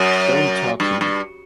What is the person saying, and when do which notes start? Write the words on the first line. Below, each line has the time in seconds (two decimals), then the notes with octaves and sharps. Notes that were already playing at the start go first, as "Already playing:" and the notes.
Don’t talk to me.
Already playing: F#2
0.80 G2
1.01 G2